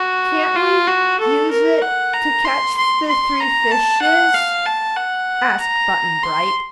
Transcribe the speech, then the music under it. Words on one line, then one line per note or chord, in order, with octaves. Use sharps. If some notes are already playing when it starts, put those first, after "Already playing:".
"Can't we use it to catch the three fishes?" asked Button Bright.
Already playing: F#4
F4
F#4
A4
A#4
F#5
A#5
C6
C6
C6
A#5
A5
F#5
F5
A5
F#5
A#5
C6